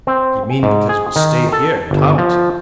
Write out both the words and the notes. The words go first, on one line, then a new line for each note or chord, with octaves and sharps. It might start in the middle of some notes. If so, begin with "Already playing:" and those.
"You mean because we stay here in Tarleton?"
C4
G#5
G#2
G#4
D#3
A4
G1
F3